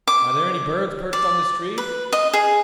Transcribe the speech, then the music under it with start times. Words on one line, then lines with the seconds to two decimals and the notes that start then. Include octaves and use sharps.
Are there any birds perched on this tree?
0.07 D6
1.13 D5
1.78 B4
2.13 D#5
2.33 G#4